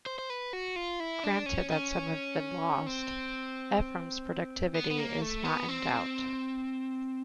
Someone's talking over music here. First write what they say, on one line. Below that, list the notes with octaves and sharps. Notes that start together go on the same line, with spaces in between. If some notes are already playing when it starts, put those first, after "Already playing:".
Granted that some have been lost, Ephrem's productivity is not in doubt.
C5
C5
B4
F#4
F4
E4
D4
C#4
C#4
C4
B3
B3
A#3
A3
B3
C4